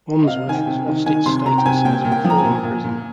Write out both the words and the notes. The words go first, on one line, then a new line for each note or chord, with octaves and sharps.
Wansworth has lost its status as a reform prison.
D#5
C3 F5
D#3 G#5
G5
C3
D#3
D#3 G#5
C3 C6
C3 A#5
G5
C3 G#5
A#2 G5
A#2
G5
F3
A#5
G#5
A#2
A#2
A#2